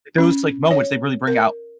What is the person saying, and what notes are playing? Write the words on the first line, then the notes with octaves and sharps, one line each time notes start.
those, like, moments, they really bring out,
C#4
C#5
A#4